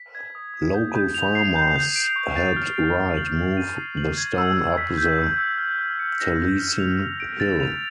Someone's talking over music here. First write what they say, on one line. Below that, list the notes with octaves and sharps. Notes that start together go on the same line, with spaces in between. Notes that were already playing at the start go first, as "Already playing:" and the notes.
Local farmers helped Wright move the stone up the Taliesin hill.
Already playing: B6
G#6
D#6
D#6
G6
G6
F7
C7
G6
G6
D7
C#6
A6
F6
D7
C#6
F#7
G#6
D#7
C7
F#7
G#6
E6
E6
B6
G6
E6
E6
F6
F6
C#7
A#6
F6
F6
F7
F6
D7
A6
F7